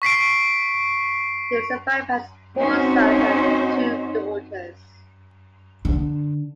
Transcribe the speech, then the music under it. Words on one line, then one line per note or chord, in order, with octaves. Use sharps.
He was survived by his four sons and two daughters.
C#6 B6 C7 D7
C4 C#4 D#4 F#4 C5
D3